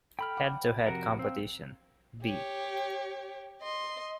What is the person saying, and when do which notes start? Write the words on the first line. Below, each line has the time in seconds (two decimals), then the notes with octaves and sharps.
Head-to-head competition; B.
0.19 A4 G5 B5 F6
0.37 F#5 D6
0.86 F2 C3 F#4 A#4
1.19 C4 C5 F5 G5
2.24 G4 C#5
3.62 D#5 C6